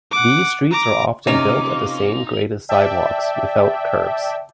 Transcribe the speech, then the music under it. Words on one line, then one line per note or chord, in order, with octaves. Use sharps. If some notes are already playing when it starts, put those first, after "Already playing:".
These streets are often built at the same grade as sidewalks, without curbs.
F#5 D6
A#5 D6
C3 A#3 C#4 D#4 F4 D6
D5 E5 G5 A5